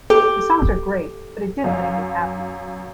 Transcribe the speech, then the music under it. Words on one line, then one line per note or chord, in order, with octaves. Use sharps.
The songs were great but it didn't make me happy.
G4 A4
F#2 F5